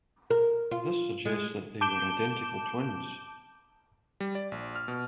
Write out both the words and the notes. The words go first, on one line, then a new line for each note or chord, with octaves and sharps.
This suggests that they were identical twins.
A#4
F4
G#3
A5 D6 G6 D7 E7 G7
G3
D5
A#1
F6
B2